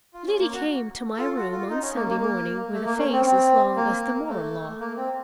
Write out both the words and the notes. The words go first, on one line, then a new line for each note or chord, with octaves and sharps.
Liddy came to my room on Sunday morning with a face as long as the moral law.
F4
C#4
A#3
F#4
F4 A4
F#4
F4
D#4
C#4
A#3
A#3
A#3
A3
A#3
C#4
C4
C4
A#3
A3
A#3
C4